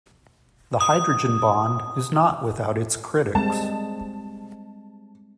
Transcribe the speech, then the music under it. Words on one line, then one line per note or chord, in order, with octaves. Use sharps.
The hydrogen bond is not without its critics.
D#6
G3 G#3 C4 A5